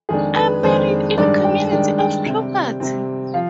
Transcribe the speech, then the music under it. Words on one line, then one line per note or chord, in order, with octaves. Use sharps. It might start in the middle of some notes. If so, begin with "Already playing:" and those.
I'm married in community of property.
F2 D#3 G#3 D4 G#4
B4
F2 D#3 G#3 D4 C5
G2 D#3 G#3 D4 D5
G5
G2 D#3 G#3 D4 G5
G5
C3 G3 C4
C3 G3 C4
F3 F5